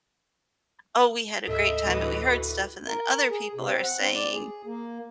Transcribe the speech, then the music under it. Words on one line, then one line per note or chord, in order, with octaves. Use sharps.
"Oh, we had a great time, and we heard stuff," and then other people are saying,
D2 G#2 G3 A4 D#5 E5
D2 A2 C#3 E3 F#4 B4
A#4
G#4
C3
C4
F#5
C4
D5
G#4
A#3